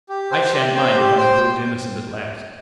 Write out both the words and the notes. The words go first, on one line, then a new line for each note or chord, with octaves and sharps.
"I shan't mind if I'm proved innocent at last."
G4
C5 G5
G4
C5 G5
G4
C5 G5